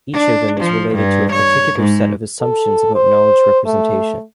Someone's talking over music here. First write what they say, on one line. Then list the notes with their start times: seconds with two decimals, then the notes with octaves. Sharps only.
Each of them is related to a particular set of assumptions about knowledge representation.
0.13 D4
0.60 F3
0.95 G2
1.32 C#5
1.80 G#2
2.41 A4
2.95 C5
3.66 A3